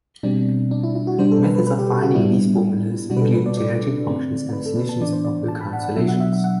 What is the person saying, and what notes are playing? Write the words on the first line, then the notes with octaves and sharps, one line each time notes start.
Methods of finding these formulas include generating functions and the solution of recurrence relations.
B2 G3 C4 D4
D4
E4
E4
F#4
B2 G3 D4 C5
A4
B4
B4
B4
G4
G4
F#4
A2 G3 B3 D4 E4
B2 G3 D4 F#4
B4
A4
B4
D5
D5
D3 A3 C4
B4
A4
B4
A5
A2 E3 B3 D4 D5
C5
D5
A5
B5
F#5
F#5
B2 F#3 B3 D4 E5
F#5
E5
E5
F#5